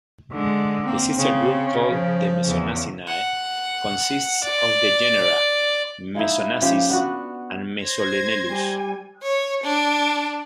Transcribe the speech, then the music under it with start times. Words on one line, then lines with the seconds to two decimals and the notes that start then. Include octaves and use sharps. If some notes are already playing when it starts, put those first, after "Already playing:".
The sister group called the Mesonacinae consists of the genera Mesonacis and Mesolenellus.
0.32 D3 G#3
0.86 A#3 C4
1.17 C#3
1.90 F3
2.43 E2 C#3
3.07 F#5
4.44 D5
6.15 G#3 A#3 D#4 E4
6.62 C#3 F3 G4 C5
6.90 B3 D4 F#4
7.81 C5 G#6 A#6
8.49 G3 G#5
9.22 C#5
9.63 D4